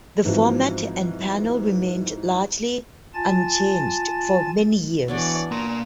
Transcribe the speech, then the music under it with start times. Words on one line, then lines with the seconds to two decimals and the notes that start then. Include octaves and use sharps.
The format and panel remained largely unchanged for many years.
0.25 G#2 E3 F3 C4 F#4
3.14 F4 G#5 A5 A6
5.08 E3 B3 D4 F#4 C#5 D5
5.51 A#3 A#5 C6